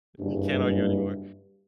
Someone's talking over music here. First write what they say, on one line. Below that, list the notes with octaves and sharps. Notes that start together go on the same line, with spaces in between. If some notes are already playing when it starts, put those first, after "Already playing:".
You can't argue anymore."
F#1 G2